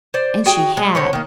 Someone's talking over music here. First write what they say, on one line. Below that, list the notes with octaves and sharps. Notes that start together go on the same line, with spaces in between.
And she had.
C5 D5
F#4 G#4 G5
G#3
D3 C4 C#5
D#3 A#3